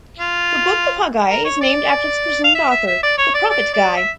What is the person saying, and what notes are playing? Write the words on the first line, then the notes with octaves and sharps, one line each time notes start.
The Book of Haggai is named after its presumed author, the prophet Haggai.
F4
A#4
C#5
D5
F5
E5
E5
E5
D5
C#5
D5
D5
D5
E5